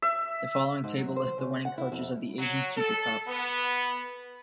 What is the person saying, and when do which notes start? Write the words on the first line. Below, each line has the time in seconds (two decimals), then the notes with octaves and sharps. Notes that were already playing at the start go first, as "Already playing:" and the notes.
The following table lists the winning coaches of the Asian Super Cup.
0.02 E5
0.84 G#2
0.98 F#3
1.16 C5
1.38 C#3
1.65 F#5
1.78 E4
1.92 F2
2.39 F#3
2.77 A4
3.28 B3